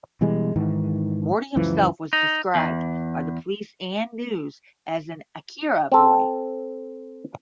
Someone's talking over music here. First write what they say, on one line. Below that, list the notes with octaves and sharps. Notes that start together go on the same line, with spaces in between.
Morty himself was described by the police and news as an ""Akira" boy".
B2 E3 G3 G#3
G#2 D#3 E3
C#2 F#2 E3 F3
D#4
E2
C4 A4